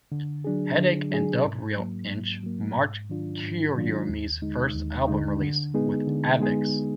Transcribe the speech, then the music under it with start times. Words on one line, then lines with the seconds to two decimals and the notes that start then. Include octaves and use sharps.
"Headache and Dub Reel Inch" marked Kuroyume's first album release with Avex.
0.12 D3
0.44 F#3 D4 G#4
0.77 D3
1.11 F#3 D4 G#4
1.44 G#2
1.77 F#3 A#3
2.10 G#2
2.44 F#3 A#3
2.77 G#2
3.10 D#3 F#3 D4 F4
3.43 G#2
3.76 D#3 F#3 D4 F4
4.09 D#2
4.42 D3 G#3 D#4
4.75 D#2
5.08 D3 G#3 D#4
5.41 D3
5.74 G#3 B3 D#4 G#4
6.07 D3
6.40 G#3 B3 D#4 G#4